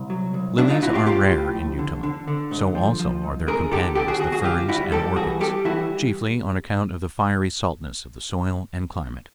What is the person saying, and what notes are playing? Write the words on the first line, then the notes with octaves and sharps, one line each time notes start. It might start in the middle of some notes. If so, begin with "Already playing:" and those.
Lilies are rare in Utah; so also are their companions the ferns and orchids, chiefly on account of the fiery saltness of the soil and climate.
Already playing: C2
F#3
C2
A2 D4 E4
D#4 F4
A2 E4 F#4
F4 G4
A2 F4 G4
A2
F2
D3
D3
D3
G#2
F3
F3
G#2
D3 G#4 A#4
D3 G4 A4
D#2 G4 A4
F#4 G#4
D#2 F#4 G#4
F#4 G#4
D2 F4 G4
G3 E4 F#4
G3 G4 A4
E3 F#4 G#4
G3 G4 A4
E3 E4 F#4